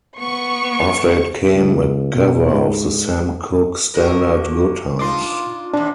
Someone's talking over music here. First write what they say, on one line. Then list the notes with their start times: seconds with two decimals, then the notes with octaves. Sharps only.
After it came a cover of the Sam Cooke standard "Good Times".
0.18 B3 C#6
1.55 C#2
2.14 B2
2.53 G#2
3.94 D3 F#4 A#4
4.99 D4 D#4 F4 C6 D6
5.74 D#2 C3 D4